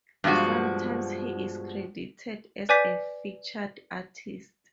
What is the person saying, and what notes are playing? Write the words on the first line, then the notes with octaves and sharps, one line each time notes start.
Sometimes he is credited as a featured artist.
G2 B2 F3 G#3 F#4
B4 D5 G#5 D6 G6 B6